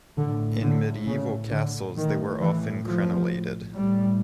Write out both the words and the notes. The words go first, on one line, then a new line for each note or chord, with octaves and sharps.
In medieval castles, they were often crenellated.
A2 D3
D3
C#3
D3
A2 D#3
E3
F3
A2 G3